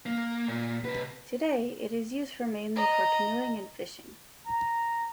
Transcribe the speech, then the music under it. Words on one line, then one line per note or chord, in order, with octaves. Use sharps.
Today, it is used for mainly for canoeing and fishing.
A#3
A#2
C3 B4
D#5 A#5
A#5